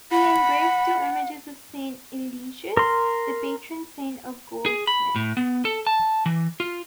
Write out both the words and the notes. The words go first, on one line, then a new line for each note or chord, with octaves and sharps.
He engraved two images of Saint Eligius, the patron-saint of goldsmiths.
F#5 B5
A#4 C6
G#4
B5
A2
B3
A4
A5
E3
F4